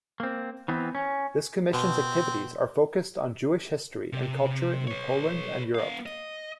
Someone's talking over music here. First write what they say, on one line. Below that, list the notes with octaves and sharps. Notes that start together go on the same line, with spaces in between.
This Commission's activities are focused on Jewish history and culture in Poland and Europe.
A#3 C4
E3 B3 C4
C#4
B2 C4
C3
B4 C#5
B3 F5
D#5